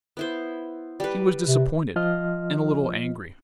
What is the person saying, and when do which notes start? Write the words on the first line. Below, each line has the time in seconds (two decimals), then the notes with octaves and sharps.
He was disappointed, and a little angry.
0.17 B3 E4 C5
1.00 G3 B4
1.48 C3
1.96 F3 F4 D#5 F6